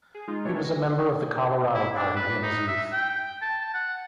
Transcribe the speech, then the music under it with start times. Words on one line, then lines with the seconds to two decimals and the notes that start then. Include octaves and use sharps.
He was a member of the Colorado Party, in his youth.
0.15 G#4
0.28 G#3 D#4 F4
0.45 B2 E3 G3 A3 D4 C#5
0.64 A#6
1.74 E4
1.95 D4
2.16 B4
2.43 D#4
2.68 E5
2.93 G5
3.42 A5
3.61 A5
3.74 F#5